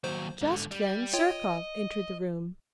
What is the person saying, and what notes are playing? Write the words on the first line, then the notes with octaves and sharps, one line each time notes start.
Just then Zherkov entered the room.
D#2 F#3 C5
G#2 D3
G3
F4 C#5 D#5 G5